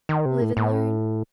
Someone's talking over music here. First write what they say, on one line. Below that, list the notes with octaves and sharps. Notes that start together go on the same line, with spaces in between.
Live and learn.
D#3
C3
A2
A2